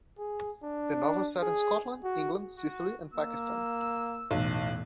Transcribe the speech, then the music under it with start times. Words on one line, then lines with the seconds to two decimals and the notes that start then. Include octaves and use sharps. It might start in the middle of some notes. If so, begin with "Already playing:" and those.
The novel is set in Scotland, England, Sicily and Pakistan.
0.19 G#4
0.64 D4
1.42 G#4
2.04 F#4
2.58 F#4
3.14 A#3 E6
4.31 B1 E2 A2 F#6